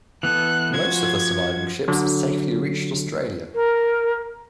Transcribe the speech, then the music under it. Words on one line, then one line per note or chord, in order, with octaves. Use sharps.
Most of the surviving ships safely reached Australia.
E3 B3 A4 F#6
F3 F#4 G#6
D3 F#3
A#4